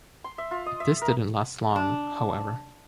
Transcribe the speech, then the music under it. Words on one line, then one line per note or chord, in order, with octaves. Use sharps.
This didn't last long, however.
C6
E5
F4
D#5
E5
A#4
D4